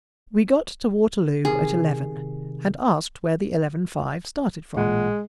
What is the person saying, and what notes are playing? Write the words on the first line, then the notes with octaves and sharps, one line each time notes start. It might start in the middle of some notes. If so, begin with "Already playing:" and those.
We got to Waterloo at eleven, and asked where the eleven-five started from.
C3 D#3 G#4
A1 A#2 G#3 F#5